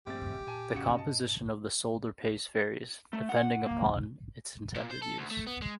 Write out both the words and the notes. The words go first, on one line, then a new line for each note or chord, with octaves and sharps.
The composition of the solder paste varies, depending upon its intended use.
A#1 G2 A3 C4 G4 A6
A#2 G#5 A5
C2 A2 C#3 F#4 C#7
G2 B2 C#4 D#5 A5
A3
F#5
A#3
A#2
C5
A4
D2
A3
B3
G#3